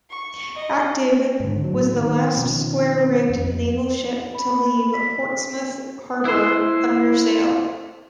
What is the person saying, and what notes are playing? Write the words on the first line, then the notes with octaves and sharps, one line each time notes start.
"Active" was the last square-rigged naval ship to leave Portsmouth Harbour under sail.
C#6
D#5
G#2 D3
A2 F#3
D#3 B3
B2 D#3 F3 C#4
F2
B5
B6
E4 C5